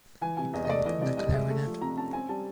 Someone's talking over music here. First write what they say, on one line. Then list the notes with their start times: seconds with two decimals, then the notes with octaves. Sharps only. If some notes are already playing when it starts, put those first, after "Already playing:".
He played the clarinet.
0.21 E3 G#5
0.37 C3 G#5
0.53 E2 D#5
0.65 D#5
0.69 A3 D5
0.85 E3 D#5
1.02 C3 D5
1.17 C2 D#5
1.33 G#3 E5
1.50 A3
1.66 F3
1.81 C3 A#5
1.97 C#4 A5
2.13 C4 G#5
2.29 G3 A5